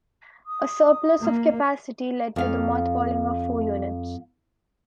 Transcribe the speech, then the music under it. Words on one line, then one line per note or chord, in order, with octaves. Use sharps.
A surplus of capacity led to the mothballing of four units.
D#6
A#3
F2 F5